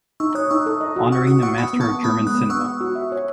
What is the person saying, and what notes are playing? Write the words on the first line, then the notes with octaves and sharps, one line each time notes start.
Honoring a master of German cinema.
D#4 C#6 E6
C#5 D#6 F#6
D#4 C#6 E6
A4
D#5
F#4
F#5 C#6 E6
F#4 D#6 F#6
F#5 C#6 E6
F#5 B5 D#6
B3
A5 C#6
F#5
B3 B5 D#6
G#3
D#6 F#6
B3
F#5 C#6 E6
F#5
F#4
E5
C#5